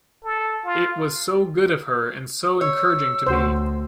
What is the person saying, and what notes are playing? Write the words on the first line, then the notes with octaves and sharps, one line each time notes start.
It was so good of her, and so encouraging to me!
A4
F4
C#5 E6
D2 F#4 C5